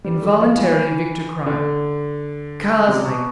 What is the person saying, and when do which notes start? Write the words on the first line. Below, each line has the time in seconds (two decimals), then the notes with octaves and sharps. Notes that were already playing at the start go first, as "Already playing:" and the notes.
Involuntarily Victor cried: "Karslake!"
0.05 G3
0.22 A3
0.40 F3
0.58 E3
1.46 D3
2.88 C3
3.05 B2